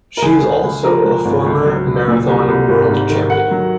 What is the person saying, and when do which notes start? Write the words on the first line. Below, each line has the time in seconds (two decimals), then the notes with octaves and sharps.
She is also a former marathon world champion.
0.17 A#4
0.22 C#2 G#4
0.43 C#2
0.63 C#2
0.83 F3 A#4
1.04 G#3
1.25 G#1
1.46 C#2
1.66 F#3
1.86 C#2
2.08 A#2
2.28 C2
2.48 C2
2.69 G#1
2.90 G#2
3.10 D#3
3.30 D#3 F#5
3.51 F#3